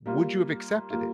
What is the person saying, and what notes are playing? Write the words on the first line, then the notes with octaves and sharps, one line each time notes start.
would you have accepted it?
G3 A#3 F4
G3 A#3 F4